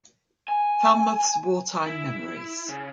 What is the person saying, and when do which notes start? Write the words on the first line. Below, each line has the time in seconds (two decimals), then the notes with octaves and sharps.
Falmouth's Wartime Memories.
0.48 G#5
1.86 E4
2.69 C#3